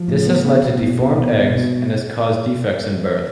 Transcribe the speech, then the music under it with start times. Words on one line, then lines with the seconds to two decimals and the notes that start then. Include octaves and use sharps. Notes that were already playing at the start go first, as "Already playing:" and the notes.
This has led to deformed eggs, and has caused defects in birth.
Already playing: F3
0.08 A2
0.27 B3
0.45 B3
0.63 B2
0.82 B2
1.00 B2
1.18 B2
1.37 B2
1.56 B2